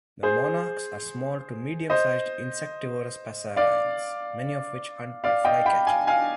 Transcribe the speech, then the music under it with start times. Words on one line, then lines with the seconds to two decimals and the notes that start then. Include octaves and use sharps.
The monarchs are small to medium-sized insectivorous passerines, many of which hunt by flycatching.
0.23 G#4 C5
1.90 C5 D#5
3.56 D5 F5
5.24 D5 F5
5.45 D#5 G5
5.66 G5 B5
5.87 F5 G#5
6.07 F5 G#5